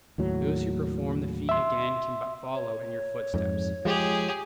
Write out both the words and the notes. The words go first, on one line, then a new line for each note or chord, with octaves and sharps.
Those who perform the feat again can but follow in your footsteps.
D#2 A2 F#3
E5 C6
C#5
F2 G#2
F3 G#3 G4 G#4